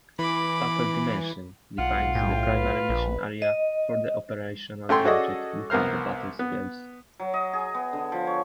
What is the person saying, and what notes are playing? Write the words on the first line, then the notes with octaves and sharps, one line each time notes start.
"Battle dimension" defines the primary mission area for the operational object within the battlespace.
E3 B5 D6
B1 F4 F#5
A2 G5
B4
A#1
D#5
A1 A3 G5 C6
C#4 F#4 G#4 A4 D5 D#5
C2 B3 A#4 C5 F6
B3
F#3
D#5
G#4
B3
D3
F3
C#5